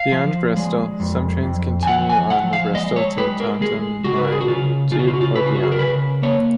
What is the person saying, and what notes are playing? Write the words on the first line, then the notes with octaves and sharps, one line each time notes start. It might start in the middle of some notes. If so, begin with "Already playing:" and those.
Beyond Bristol, some trains continue on the Bristol to Taunton Line to or beyond.
Already playing: F5
F3
G#3
F2
F2
G#5
F3 F#5
G#5
F3 F#5
F5
G#3 D#5
C#5
G#3 B4
A#4
G#3 G#4
C#3 F#4
B4
A#4
G#4
F#4
C#3 F4
C#3 F4
F#4
F4
F#4
F4
C#3 B4
F4
F#4
G#4
A#4
C#3 B4
A#3 C#5